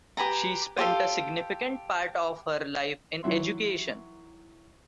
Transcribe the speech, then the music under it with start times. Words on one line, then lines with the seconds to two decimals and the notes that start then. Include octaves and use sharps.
She spent a significant part of her life in education.
0.17 G4 B4 G#5 A#5
0.77 F4 G4 A4 F5
3.23 D#3 E3 F#3 E5 C6